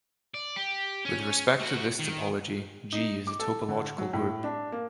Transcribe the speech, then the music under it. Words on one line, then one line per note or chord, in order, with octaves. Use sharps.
With respect to this topology, "G" is a topological group.
D5
G4
C#4
A3 F#4
D#3
D#4
D6
A4
D3
F#3
A2
D4
A#3